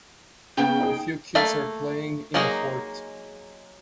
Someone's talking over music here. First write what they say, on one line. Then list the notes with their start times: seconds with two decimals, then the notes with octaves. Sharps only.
A few kids are playing in a fort.
0.57 C#3 B3 G5
0.80 D#4 G#4
1.35 A3 A#3 A4 F5 B5
2.34 F#3 G#3 A#3 D#4 G#4